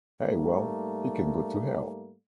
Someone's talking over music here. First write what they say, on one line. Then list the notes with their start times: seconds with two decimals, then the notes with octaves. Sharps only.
Hey, well! He can go to hell!
0.23 G#2 G3 A3 A#3